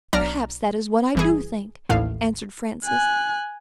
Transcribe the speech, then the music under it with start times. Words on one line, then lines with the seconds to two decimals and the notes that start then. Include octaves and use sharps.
"Perhaps that is what I do think," answered Frances.
0.13 B1 F#3 D4 D5 A#5 F6
1.15 G1 E3 G#4
1.89 A1 D#2 A2 F5
2.85 G#5 F#6